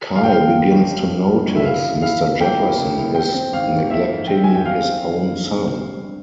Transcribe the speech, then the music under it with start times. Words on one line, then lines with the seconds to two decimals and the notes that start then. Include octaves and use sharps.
Kyle begins to notice Mr. Jefferson is neglecting his own son.
0.15 G1 F5
0.24 G5
0.32 G2 F5
0.53 F3
0.72 G1
0.90 G1
1.09 G1
1.28 G2
1.47 G1
1.56 E5
1.65 E4 F5
1.84 C#3
2.02 E4 F5
2.22 C#3
2.40 A#3 G5
2.59 E4
2.78 C#3
2.97 E4
3.15 F3 G5
3.34 C4
3.53 G#1 F5
3.71 G#2
3.91 F3 E5
4.09 G#2
4.27 G#1 G5
4.44 F3 G#5
4.55 G5
4.65 G#1 F5
4.84 C4
5.03 G#1
5.21 G2
5.40 G#1
5.59 C4
5.77 G3
5.97 G2